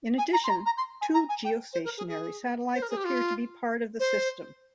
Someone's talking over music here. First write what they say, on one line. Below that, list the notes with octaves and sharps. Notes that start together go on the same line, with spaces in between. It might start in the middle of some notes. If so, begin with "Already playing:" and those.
In addition, two geostationary satellites appear to be part of the system.
G#5
A#5
C6
A#5
A#5
C6
G#5
A#5
G#5
G5
C5
A#4
G#4
G#4
C5
A#4
G#4
G4
F4
C5